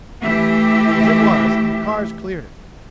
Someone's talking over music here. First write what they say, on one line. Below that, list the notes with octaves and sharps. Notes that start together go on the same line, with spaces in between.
As it was, the cars cleared it.
E3 A3 G4 E5